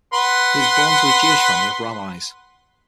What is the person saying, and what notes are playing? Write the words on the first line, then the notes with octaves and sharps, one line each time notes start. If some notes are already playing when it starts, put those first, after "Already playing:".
He was born to a Jewish family of rabbis.
B4 F#5 C6